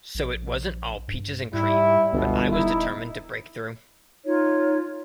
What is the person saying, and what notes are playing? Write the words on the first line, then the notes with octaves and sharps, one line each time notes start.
So it wasn't all peaches and cream, but I was determined to break through.
A#1
G2
G#2 G3 E4
G1 C#2 B2
D#1 D#4 E4
D#4 F4 C#5